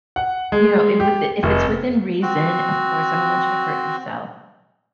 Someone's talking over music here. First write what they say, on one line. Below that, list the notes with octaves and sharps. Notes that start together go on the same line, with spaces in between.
You know, if with if it's within reason, of course, I don't want you to hurt yourself,
F#5
G#3
G4
F1
C4 F#4